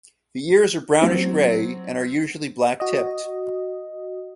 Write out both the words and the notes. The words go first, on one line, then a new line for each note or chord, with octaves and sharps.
The ears are brownish-gray and are usually black-tipped.
F#3 C4
F#4 D#5